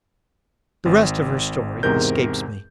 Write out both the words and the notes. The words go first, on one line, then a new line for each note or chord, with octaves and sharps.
The rest of her story escapes me.
G#1
E2 G#2 C3 A#4 G6